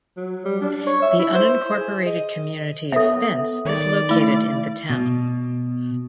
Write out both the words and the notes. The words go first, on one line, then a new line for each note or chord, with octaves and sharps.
The unincorporated community of Fence is located in the town.
F#3
G3
D4
C#5
E5
E4
C5
G#4
D#5
B3 A4 E5
D#3 D5
A3 E4
B2